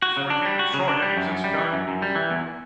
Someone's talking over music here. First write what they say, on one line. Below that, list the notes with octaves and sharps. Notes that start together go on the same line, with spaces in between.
Before he came to Detroit, yeah, he was in Chicago, and he was, you know
F#4
C#3
D4
G3
F#4
C#3
D4
G3
F#2
F#2
G3
E3
F#2
F#2
G3
E3
E2